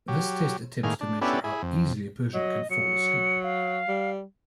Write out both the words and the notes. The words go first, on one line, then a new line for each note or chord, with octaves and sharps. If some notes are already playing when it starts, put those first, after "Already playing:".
This test attempts to measure how easily a person can fall asleep.
F#3 G4
A2 D#3 A#3 G#4 F6
D4
B3 C#4 D4 E4 G4 A4
E4 G#4
F2
F#3 D#5
F#3 C#7
F5
G3